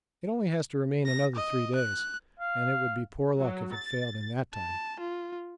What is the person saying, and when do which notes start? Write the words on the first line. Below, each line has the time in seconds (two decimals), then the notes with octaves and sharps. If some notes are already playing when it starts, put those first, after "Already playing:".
It only has to remain another three days, and it would be poor luck if it failed in that time.
1.06 A#6
1.36 D#5
1.75 F#6
2.39 F5
3.40 F#3
3.73 A6
4.54 A5
5.00 F4